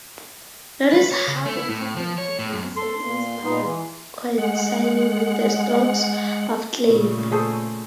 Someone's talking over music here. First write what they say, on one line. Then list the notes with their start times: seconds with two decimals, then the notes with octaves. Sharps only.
Notice how the passage begins and ends by coinciding with the strokes of clave.
0.91 B4
1.11 C#5
1.27 C#3
1.45 A3
1.57 E4
1.69 A2
1.97 F3
2.18 C#5
2.39 A2
2.53 F#2
2.76 A4 C6
3.02 A#2
3.44 A#2 B3 D#4
3.64 E3
4.38 G#3 F#5
6.85 A#2 C#3 A3
7.32 G#4 A4 C5